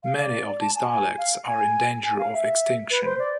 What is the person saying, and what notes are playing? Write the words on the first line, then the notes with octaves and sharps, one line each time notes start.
Many of these dialects are in danger of extinction.
F5
D5
A5
G#5
G#5
F5
G#5
G#5
F5
E5
B4
C5
D5